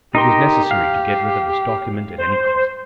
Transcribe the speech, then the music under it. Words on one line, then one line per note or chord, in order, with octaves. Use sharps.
It was necessary to get rid of this document at any cost.
D#4 G4 A#4 C6
F5
C5